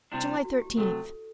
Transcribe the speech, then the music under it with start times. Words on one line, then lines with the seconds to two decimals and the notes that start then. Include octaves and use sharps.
July Thirteenth.
0.12 C3 G3 D4 E4
0.29 E4
0.44 F#4
0.61 G4
0.77 C3 F#3 A3 A4